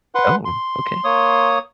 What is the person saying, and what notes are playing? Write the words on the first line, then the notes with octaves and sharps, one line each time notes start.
Oh, okay.
B4 F#5 C6
C6
A#3 C#5 D#6